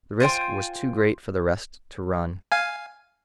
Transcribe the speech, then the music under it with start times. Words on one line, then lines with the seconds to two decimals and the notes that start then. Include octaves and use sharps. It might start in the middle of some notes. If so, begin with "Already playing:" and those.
The risk was too great for the rest to run.
0.20 F4 C5 G5 G#5
2.52 F5 G#5